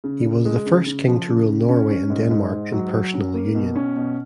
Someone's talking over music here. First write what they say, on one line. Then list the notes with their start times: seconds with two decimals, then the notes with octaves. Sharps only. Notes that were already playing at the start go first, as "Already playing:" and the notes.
He was the first king to rule Norway and Denmark in personal union.
0.04 C#3
0.24 C#3
0.45 G#3
0.66 C#3
0.86 C#3
1.08 F3
1.28 C#3
1.48 C#3
1.69 C#4
1.90 C#4
2.10 G#2
2.31 G#2
2.52 G#2
2.72 F#3
2.93 F#3
3.14 C#4
3.34 A#3
3.55 B2
3.76 C#4
3.96 B2